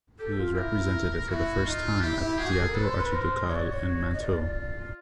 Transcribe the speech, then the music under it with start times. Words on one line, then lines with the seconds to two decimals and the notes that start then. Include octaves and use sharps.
He was represented for the first time at the Teatro Arciducale in Mantoue.
0.19 G4 A4
0.38 F4
0.55 E4 A#4
1.29 E4 F#4
1.65 D#4 F4
2.01 E4 G4
2.20 E4
2.38 F#4 G#4
2.47 G4
2.57 A4
2.65 A#4
2.74 A4 B4
2.83 C#5
2.87 C5
2.99 B4
3.11 A#4 C5
3.47 F#4 C#5
3.55 D5
3.63 C#5
4.13 D#5
4.20 F4 D5